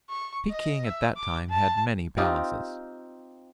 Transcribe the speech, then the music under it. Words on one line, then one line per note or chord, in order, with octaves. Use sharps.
Peking at that time had many palaces.
C#6
D#5
E5
D6
A5
C4 D#4 F4 G4